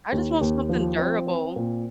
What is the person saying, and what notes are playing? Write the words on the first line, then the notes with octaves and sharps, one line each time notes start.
I just want something durable.
D#2
D#2
F3
C4
C4
A#2